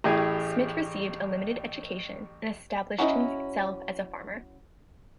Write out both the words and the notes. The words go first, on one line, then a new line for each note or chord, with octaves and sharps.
Smith received a limited education, and established himself as a farmer.
A1 A2 E4 G4 G#4 G#5
F#3 C#4 E4 D#5